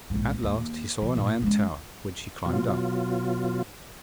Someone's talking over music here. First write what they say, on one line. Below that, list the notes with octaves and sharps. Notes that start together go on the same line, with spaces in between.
At last he saw an iron tower which he climbed up.
A#1 G#2
D#2
F3
A#2
G#3 C#4
B2 F#3 F4